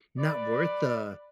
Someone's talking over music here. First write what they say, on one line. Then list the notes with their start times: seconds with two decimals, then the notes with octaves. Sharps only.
not worth the
0.19 B4 D5